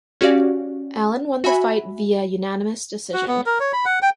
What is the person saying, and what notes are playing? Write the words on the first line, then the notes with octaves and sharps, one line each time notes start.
Allen won the fight via unanimous decision.
C#4 F#4 G4 D5 F5
F#4 E5 G#5 B5
F#4
B3
A#4
C#5
B5
F#5
G5